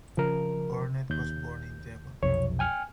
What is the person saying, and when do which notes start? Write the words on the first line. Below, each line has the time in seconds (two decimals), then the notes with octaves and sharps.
Burnett was born in Devon.
0.17 C#3 F3 A#4
1.10 D#2 G6
2.23 B1 F2 C3 C#5
2.59 G5 G#5 F6